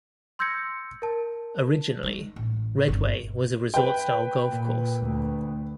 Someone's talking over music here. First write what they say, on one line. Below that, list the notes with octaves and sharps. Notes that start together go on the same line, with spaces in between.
Originally, Redway was a resort style golf course.
C6 E6 G6 G#6 A#6 C#7
A#4 A5
G#3 D#4
A1
G1 C3
B4 G5
A#2
D2